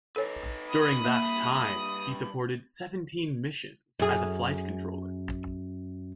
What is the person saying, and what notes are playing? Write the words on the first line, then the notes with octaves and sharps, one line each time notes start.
During that time, he supported seventeen missions as a flight controller.
D#4 A4 B4 C#5
B5 D#6
G2 A#3 E5
F#2 G#4